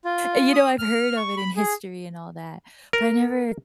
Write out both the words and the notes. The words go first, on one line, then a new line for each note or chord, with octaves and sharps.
it. You know, I've heard of it in history and all that, but I never s
F4
D#6
F6
C#6
B5
G#4
A#4